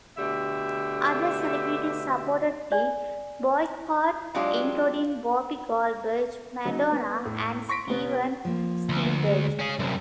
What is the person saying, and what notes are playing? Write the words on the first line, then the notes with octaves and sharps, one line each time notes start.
Other celebrities supported the boycott including Whoopi Goldberg, Madonna, and Steven Spielberg.
B2 D3 A3 G4 E5
D5 G#5
F#3 G#3 D4 F4 G4
C#3 F#3 D#4
B3
A2
C6 C#6 A#6 B6 D7
C2 B3
F3 A#3
D2
G#3
C#4 G#4
C2 F#2